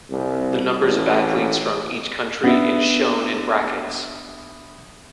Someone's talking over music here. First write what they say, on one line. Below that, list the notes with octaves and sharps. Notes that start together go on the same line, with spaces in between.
The numbers of athletes from each country is shown in brackets.
C2
A1
B3 D4 E5